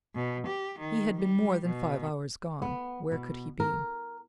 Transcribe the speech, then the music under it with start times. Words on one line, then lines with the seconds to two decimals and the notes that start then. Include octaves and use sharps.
He had been more than five hours gone: where could he be?
0.15 B2
0.48 G4
0.80 D#3
1.16 G3
1.66 B2
2.62 B3
3.12 B2
3.60 A#4